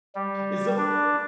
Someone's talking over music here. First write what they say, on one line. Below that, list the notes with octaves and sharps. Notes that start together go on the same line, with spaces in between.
It's a l
G3
D4